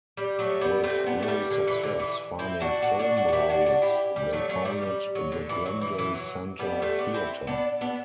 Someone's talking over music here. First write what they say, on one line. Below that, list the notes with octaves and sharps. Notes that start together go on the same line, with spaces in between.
With little success finding film roles, they founded the Glendale Centre Theater.
G3
F#3 A3
G3 B3
A3 C4
B3 D4
A3
G3
D3
E3
D3
E3
C4 E4
D4 F#4
D4 F#4
D4 F#4
D4 F#4
F#4
E4 G4
D4 F#4
D4 F#4
E4 G4
G3
F#3 A3
F#3 A3
G3
G3
F#3
D3
E3
F#3
E3
E3
F#3
G3 B3
A3 C4
B3 D4
C4 E4
B3 D4
B3 D4